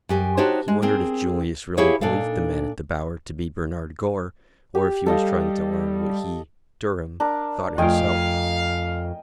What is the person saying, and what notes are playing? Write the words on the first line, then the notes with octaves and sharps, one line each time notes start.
He wondered if Julius really believed the man at the Bower to be Bernard Gore, or if he was trying to learn what he--Durham--thought himself.
F#2 G4 G#5
D4 D#4 F#4 G4 C5 C#5
G#3
C4 G#4 A#4
E4 G4 G#4 C#5 F5 F#5
A#2 D4 D#4 A4 F5
G4
G3 A4 D#5 F5
D4 A#4
F2 F3 A3 F4 D#5 F5 G5 G#5